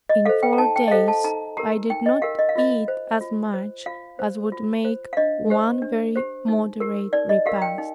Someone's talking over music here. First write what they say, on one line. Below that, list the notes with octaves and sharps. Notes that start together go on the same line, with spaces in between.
In four days I did not eat as much as would make one very moderate repast.
D#5
A4 C5 F5
G5
A#5
D#4 A5
G5
D#5
A4 C5 F5
A5
D#4 A#5
G4 A#4 A#5
D#4 G5
D#5
G4 A#4 F5
D#5
F5
F4 D#5
C5
F4
C5
F4 F5
C5
F4
C5
F5
D4 D#5
G4 C5
D4
G4 C5
D#4
G4 A#4
D#4 D5
D#5
G4 A#4 F5
G5
D#4